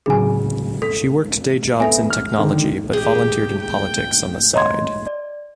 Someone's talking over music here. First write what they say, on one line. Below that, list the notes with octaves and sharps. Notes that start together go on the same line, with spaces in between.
She worked day jobs in technology but volunteered in politics on the side.
D1 C#3 F#3 G#4 G#5
A4 B6
B3 A4 E5 G#5
F6
D3 D#3
G4 G#4 G5
G5
C#5 D#5 A#5 C6 G#6
D5